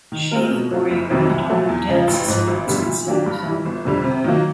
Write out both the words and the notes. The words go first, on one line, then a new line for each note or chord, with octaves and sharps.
She choreographed all the dance sequences in the film.
D#3
G#3 C4 F4 A#4
B2
F#3 A3 C4 F4
F#1
F2 C3 D#3 F#3
C2
A#2 F#3 A3
E2
C#3 F3
A1
G#2 F3
G#1
F#2 D3 G3 B3
A#2
F#3 A#3 D4 G4
G2
E3 G3
G1
F2 D3 G3
C3
D#3 F#3 A#3